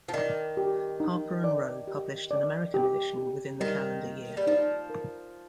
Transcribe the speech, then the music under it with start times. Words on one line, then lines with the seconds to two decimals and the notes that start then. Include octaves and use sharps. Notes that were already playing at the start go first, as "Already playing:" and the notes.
Harper and Row published an American edition within the calendar year.
0.08 F3
0.14 D#3 D5
0.57 G4
1.00 D#4
1.44 D5
1.87 G4
2.31 D5
2.74 G4
3.18 G4
3.60 D#3 G3
4.04 A#3
4.37 G3
4.47 F3 D#4
4.90 A#4